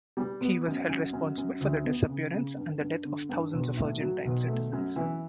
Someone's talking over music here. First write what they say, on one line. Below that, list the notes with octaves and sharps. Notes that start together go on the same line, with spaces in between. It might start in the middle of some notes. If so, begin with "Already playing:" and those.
He was held responsible for the disappearance and the death of thousands of Argentine citizens.
G3
B3
F#2
F#2
F#2
F#2
D2
B3
C#3
C#3
G2
G2
D3
G2
B1
A2
F#3
B1
A3
F#2
E3